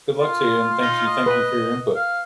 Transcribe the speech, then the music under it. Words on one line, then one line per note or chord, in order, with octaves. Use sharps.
good luck to you, and thanks you thank you for your input.
F4
D#4
D#5
B4
F5